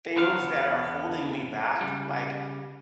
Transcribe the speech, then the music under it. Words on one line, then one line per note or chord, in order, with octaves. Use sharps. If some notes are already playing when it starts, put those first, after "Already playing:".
things that are holding me back, like,
E2 B3 D4 F5
C#3 G3